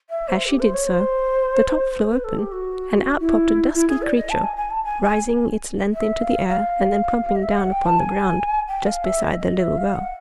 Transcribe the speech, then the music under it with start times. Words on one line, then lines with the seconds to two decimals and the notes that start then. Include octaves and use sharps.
As she did so the top flew open and out popped a dusky creature, rising its length into the air and then plumping down upon the ground just beside the little girl.
0.09 E5
0.28 C5
0.46 G4
0.60 C5
0.74 C#5
0.87 C5
2.10 B4
2.24 A4
2.38 G4
2.52 F#4
3.20 E4
3.75 E4
3.88 G#4
4.02 D5
4.16 D#5
4.30 A5
4.43 G#5
4.56 G#5
4.70 A5
4.84 G#5
5.03 G#5
5.94 E5
6.21 F5
6.48 F5
7.35 D#5
7.43 E5
7.50 F5
7.58 F#5
7.72 G5
7.85 A5
7.99 G#5
8.68 G5
8.86 F5
9.04 E5
9.22 D#5
9.40 D#5
9.59 E5
9.77 F5
9.95 F#5